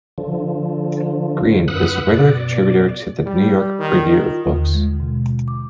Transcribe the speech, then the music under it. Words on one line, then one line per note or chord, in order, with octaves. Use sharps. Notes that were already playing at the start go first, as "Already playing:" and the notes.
Green is a regular contributor to the "New York Review of Books".
D3 F3
F#2 B4 F#5 D#6 E6 F#6
B2 D5
G3
D#3
F4
D#2
D3
G#3
B2
D6